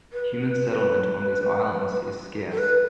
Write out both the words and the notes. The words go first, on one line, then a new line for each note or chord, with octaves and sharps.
Human settlement on these islands is scarce.
B4
B4
B4
A4
B4